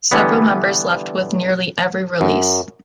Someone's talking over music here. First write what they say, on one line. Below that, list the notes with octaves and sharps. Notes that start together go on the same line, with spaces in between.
Several members left with nearly every release.
D3 E3 G3 B3
F#2